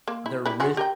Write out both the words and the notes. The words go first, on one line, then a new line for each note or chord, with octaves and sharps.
the risk
A#3
E4
G3 E4 B4
F#3 F#4 G#4
G4 A#4 G5